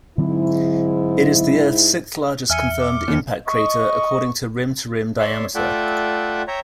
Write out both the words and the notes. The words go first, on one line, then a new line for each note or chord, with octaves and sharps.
It is the earth's sixth-largest confirmed impact crater according to rim-to-rim diameter.
G#2 D3 F#3 C4 E4
E2 E5 G#5 F6 C#7
D6
D#2
D#5 C#6
C#5 D5 E5 C6
A3 F4 D5 E5 F#5 G5
C#5 E5 G5 A#5